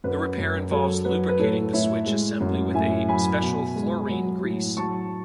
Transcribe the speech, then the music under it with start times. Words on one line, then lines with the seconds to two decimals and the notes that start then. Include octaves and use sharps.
The repair involves lubricating the switch assembly with a special fluorine grease.
0.04 F#2 B4
0.38 F#2
0.71 F#3 A4 C#5
1.05 F#3 B4
1.29 B4
1.39 A2 A4 C#5
1.73 A2 C#5 E5
2.06 G#3
2.40 F#2
2.74 A2 E5 G#5
3.09 F#3 G#5 B5
3.42 B2
3.76 G#3
4.10 F#3
4.44 A2
4.77 F#3 A5 C#6